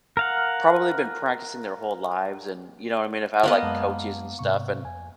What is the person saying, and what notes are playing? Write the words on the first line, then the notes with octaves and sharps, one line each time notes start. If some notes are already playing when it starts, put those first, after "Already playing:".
probably been practicing their whole lives and, you know what I mean? Have had, like, coaches and stuff, and
A#4 F5 F#5
A#3 B3 D#5
F#2 G#3 A5
G#2 C3 C#6
F2 G#5